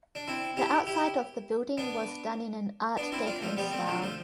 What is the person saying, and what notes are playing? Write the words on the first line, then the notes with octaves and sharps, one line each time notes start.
The outside of the building was done in an Art Deco style.
D4
C4 E4
E4 G4
E4 G4
B3 D4
B3 D4
C4 E4
D4 F4
F3 A3
G3 B3
A3 C4
D3 F3
F3 A3